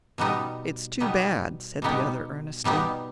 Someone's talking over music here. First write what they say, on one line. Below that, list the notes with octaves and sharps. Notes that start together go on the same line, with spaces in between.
"It's too bad," said the other, earnestly.
B2 G3 B3 D#4 G4
B2 G3 B3 D#4 G4
B2 G3 B3 D#4 G4
B2 G3 B3 D#4 G4